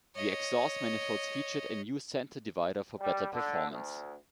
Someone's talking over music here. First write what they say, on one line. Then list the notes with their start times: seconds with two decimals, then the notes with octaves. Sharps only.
The exhaust manifolds featured a new center divider for better performance.
0.15 C#5 D#5
3.00 G3
3.33 D3
3.70 D2